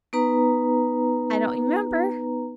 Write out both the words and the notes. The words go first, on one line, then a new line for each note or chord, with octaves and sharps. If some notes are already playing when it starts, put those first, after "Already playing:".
"I don't remember."
B3 D#4 B4 A#5